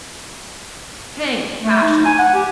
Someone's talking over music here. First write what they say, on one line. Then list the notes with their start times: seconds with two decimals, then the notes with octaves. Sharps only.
'Hang fashion!
1.62 A3
1.82 D#4
2.05 G#5
2.19 F#5
2.34 G4